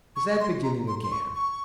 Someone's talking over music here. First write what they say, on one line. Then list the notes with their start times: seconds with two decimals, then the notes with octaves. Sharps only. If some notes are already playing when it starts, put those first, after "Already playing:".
Is that beginning again?'
0.16 C#6
0.40 C6
0.63 A#5
0.88 C6
1.03 C6
1.12 C#6
1.36 C#6